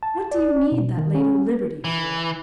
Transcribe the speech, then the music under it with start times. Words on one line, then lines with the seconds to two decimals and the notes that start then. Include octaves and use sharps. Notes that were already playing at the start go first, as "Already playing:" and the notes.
What do you need that later liberty for?
0.03 A5
0.32 D5
0.72 B2
0.98 D#3
1.15 C#4
1.84 E3